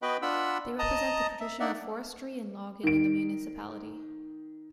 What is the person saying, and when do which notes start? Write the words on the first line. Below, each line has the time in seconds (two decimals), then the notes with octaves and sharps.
They represent the tradition of forestry and logging in the municipality.
0.02 B3 F#4 B4 D#5 G5 B5
0.22 D4 F4 F#5 B5 E6
0.79 D#5 A5 A#5 D#6
1.40 E5
1.60 A#3 D4 D#4 D5 E5 F#5
2.83 D#3 D7